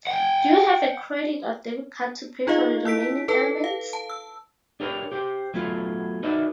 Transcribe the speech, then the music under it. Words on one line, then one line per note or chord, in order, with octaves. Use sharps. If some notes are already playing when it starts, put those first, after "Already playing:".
Do you have a credit or debit card to pay for the remaining elements?
F#5 G5
D#4 F4 G#4 D#5 F5
E4 E6 B6 D7
A4 B4 A5
F5
A5
E6
D4 G4 A#4 B4 C#5
G4 C5
F#3 A3 B3 F4
D#4 F#4 A#4 B4 D5 E5